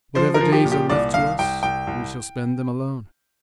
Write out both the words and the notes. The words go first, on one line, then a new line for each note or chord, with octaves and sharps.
Whatever days are left to us, we shall spend them alone.
F3 C5
A#4
F3
G4
A#2
G4
C2 D5
C2 F5
C2 G5
C2 G5
C2